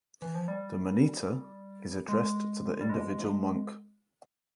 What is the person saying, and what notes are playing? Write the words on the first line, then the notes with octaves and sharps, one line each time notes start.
The "Monita" is addressed to the individual monk.
E3
F3
G3
G#3
G3
G#3